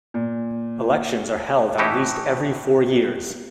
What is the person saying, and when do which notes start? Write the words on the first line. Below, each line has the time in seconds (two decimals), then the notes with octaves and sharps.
Elections are held at least every four years.
0.14 A#2
1.78 A2 C#3 E3 D#4 E4 G4